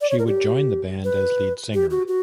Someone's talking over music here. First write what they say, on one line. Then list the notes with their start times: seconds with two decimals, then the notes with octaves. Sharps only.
She would join the band as lead singer.
0.01 D5
0.10 C#5
0.19 A#4
0.27 G4
1.04 B4
1.74 G4
1.90 F#4
2.08 F#4